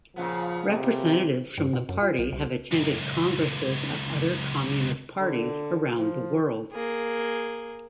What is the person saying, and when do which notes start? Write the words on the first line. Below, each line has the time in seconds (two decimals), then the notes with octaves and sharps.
Representatives from the party have attended congresses of other communist parties around the world.
0.16 A#2 C#3 F3 B3
0.67 C3
1.58 G2
1.73 B2
1.89 F#2
2.02 F4
2.19 B1
2.32 C2
2.72 C#2 F#2
5.19 D3
5.98 F3
6.72 A#3 G#4